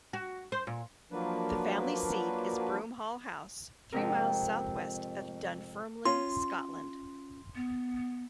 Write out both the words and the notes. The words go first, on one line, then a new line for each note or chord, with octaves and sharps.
The family seat is Broomhall House, three miles south-west of Dunfermline, Scotland.
F#4
C5
A#2
F3 F#3 A#3 D4 B4
F2 G#2 C3 A#4
C#4 F4 C6
B3